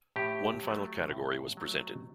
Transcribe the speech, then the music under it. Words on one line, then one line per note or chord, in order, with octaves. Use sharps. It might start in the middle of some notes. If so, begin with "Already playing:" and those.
One final category was presented.
A2 G4
F#3 A3
A2
F#3 A3